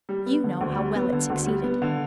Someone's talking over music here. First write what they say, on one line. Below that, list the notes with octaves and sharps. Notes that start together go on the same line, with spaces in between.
You know how well it succeeded--.
G3
B3
D3
D2
G3
B3
D3
D2
G3
B3
D3